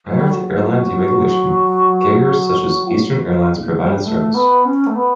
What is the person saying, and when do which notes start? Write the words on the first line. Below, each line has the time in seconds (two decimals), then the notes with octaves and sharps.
Prior to airline deregulation, carriers such as Eastern Airlines provided service.
0.10 F#3
0.20 G3
0.29 F#3
3.74 G3
4.04 A3
4.34 B3
4.65 C#4
4.86 A3
4.95 B3